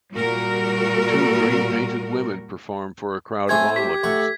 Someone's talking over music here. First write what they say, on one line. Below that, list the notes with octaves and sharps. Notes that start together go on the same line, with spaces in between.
Two green painted women perform for a crowd of onlookers.
A#2 G3 F#4 A#4
A3 C4 E5 G#5 G#6
G4 B6
A2 A4 F#5 C#6